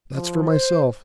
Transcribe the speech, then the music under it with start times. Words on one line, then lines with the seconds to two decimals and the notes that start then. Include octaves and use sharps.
That's for myself.
0.14 F3
0.49 C5